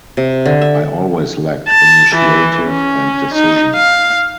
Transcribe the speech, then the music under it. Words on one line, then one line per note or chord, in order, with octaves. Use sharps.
I always lacked initiative and decision.
C3
D3
E5
A5
E3
C#4
D#4
F5